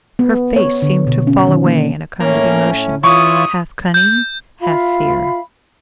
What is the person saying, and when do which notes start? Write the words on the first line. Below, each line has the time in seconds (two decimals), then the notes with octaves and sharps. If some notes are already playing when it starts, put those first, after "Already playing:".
Her face seemed to fall away in a kind of emotion, half cunning, half fear.
0.19 B3
0.56 C#5
0.82 D3
1.07 B2
1.27 C#4
1.47 D#3
1.66 A#3
2.20 A2 A#3 C#4
3.04 E3 F4 C#5 C#6 D#6
3.94 G6
4.61 F4 E5 F5 B5